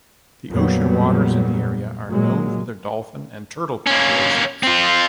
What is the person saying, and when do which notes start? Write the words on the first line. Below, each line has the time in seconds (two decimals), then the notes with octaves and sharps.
The ocean waters in the area are known for their dolphin and turtle populations.
0.50 F2 A#2 F#3 G3 B3
2.09 A#2 F#3 G#3
3.87 A#3 C#4
4.63 C4 F4